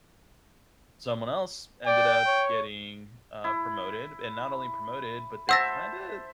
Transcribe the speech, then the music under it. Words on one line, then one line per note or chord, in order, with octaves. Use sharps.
someone else ended up getting, uh, promoted, and not only promoted, but they kinda
D5 G5
C#5
E4
C5 E5 F#5 A5 E6 A#6